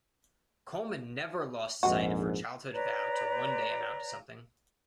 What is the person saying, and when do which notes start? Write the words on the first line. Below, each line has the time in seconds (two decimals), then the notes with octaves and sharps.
Coleman never lost sight of her childhood vow to one day amount to something.
1.83 A#1 F2 G#2 G#3 F#4
2.74 B4 C#5 D5 A#5